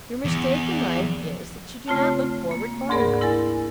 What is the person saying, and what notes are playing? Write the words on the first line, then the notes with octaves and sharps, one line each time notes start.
Your mistake in life is, that you do not look forward far enough.
E2
C#3 A3 C4 F4 C#5 A5
A#3
D2 G#2 G#4 A#4 D5 B5
E4 A#4 G#5 A6